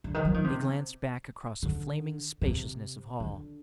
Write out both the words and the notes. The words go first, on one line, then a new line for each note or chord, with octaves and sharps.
He glanced back across a flaming spaciousness of hall.
D3
D#3
F3
D#3
C3
D3
C3
D3